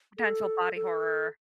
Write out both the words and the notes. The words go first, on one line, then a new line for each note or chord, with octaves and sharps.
potential body horror.
A4
A4